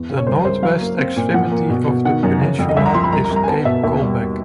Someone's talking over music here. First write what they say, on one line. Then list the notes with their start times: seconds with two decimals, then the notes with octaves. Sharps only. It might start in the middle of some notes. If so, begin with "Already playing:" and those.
The northwest extremity of the peninsula is Cape Colbeck.
Already playing: E2
0.09 C#3
0.18 C#5
0.27 C2 C5
0.45 C2 C5
0.62 F#3 F5
0.81 A#3
0.98 C4
1.16 A#2
1.34 F3 F#5
1.52 A#3
1.70 B2
1.87 B2
2.05 D#3 F#5
2.23 F#2
2.41 C#3
2.59 F2
2.69 D#5
2.77 C2 E5
2.86 A#5
2.94 F3 C6
3.04 B5
3.12 C2 A#5
3.24 A#5
3.30 C2
3.36 A#5
3.43 G#5
3.48 B3 A5
3.65 B2 E5
3.83 D#2 E5
4.02 G3